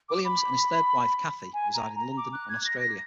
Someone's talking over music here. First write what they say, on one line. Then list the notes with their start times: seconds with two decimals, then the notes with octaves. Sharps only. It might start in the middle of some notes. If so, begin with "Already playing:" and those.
Williams and his third wife, Kathy, reside in London and Australia.
0.09 D6
0.25 B5
1.54 G#5
1.74 A#5
1.96 A#5
2.17 D6
2.33 F#6
2.49 G#6
2.65 A#6
2.81 A#6